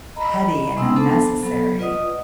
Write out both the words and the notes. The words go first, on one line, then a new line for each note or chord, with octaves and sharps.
petty and unnecessary.
D#5 A#5 B5
G#3 B3 C#4 D#4 C6 E6
B3 C4 D4 A4 C5 A5
F#3 B3 A4
F4 B4 D5 D#5 F#5 D#6